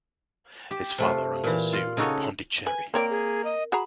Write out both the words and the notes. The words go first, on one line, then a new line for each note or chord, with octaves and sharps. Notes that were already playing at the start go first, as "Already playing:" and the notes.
His father owns a zoo in Pondicherry.
G4
C3 A3 F4
A#2 E3
F4
C#3 D#4 F#4 A4 C#5 D#5
B4 G#5
A#3 C4 A#4 C#5 D5 G5
G#4
D#5
F#4 G#4 A#5 B5